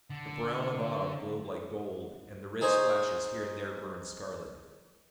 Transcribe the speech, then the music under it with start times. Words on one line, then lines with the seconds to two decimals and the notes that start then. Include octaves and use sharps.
The brown of autumn glowed like gold, and the red splashes here and there burned scarlet.
0.10 D3
2.61 D#4 G#4 C5 C#5